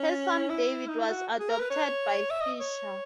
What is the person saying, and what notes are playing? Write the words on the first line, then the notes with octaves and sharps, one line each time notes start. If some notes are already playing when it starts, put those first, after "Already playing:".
Her son David was adopted by Fischer.
Already playing: C#4
E4
D#4
E4
F#4
G#4
A#4
B4
C#5
E5
D#5
C#5